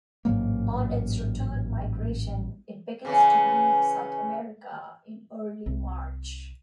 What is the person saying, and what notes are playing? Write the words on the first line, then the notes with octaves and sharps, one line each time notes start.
On its return migration it begins to leave South America in early March.
A1 G#2 F#3 A#3
C#3 E3 C#4
C2